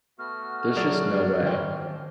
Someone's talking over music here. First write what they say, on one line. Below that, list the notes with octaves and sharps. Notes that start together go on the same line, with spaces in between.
There's just no way.
A3 B3 F#4 F6
F#3 G#4 D5
D#3 C5 G5